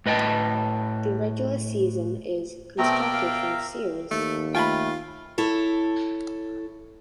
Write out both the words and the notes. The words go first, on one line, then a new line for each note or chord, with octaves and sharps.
The regular season is constructed from series.
A2 B4 D#5 G5 A5
B2 A3 C4 A#4 D5 E5 G5 A#5
F5
D#2 A3
A3 F4 G5 G#5 B5
E4 A4 C#5